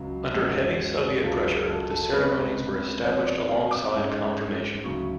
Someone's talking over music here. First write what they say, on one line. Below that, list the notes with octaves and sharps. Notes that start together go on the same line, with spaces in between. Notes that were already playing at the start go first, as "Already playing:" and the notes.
Under heavy Soviet pressure the ceremonies were established alongside confirmation.
Already playing: C#2 C#3 F#3 C#4
F#2 F3 G#3 C#4 F#4
G#4
C#2 C#3 F#3 A3 F4 A4
G#4
A4
A4
F2 C#3 G#3 B4
F2 F3 B3 C#5
D5
F5
D6
G#2 G#3 C#4
D2 C#3 F#3 C#6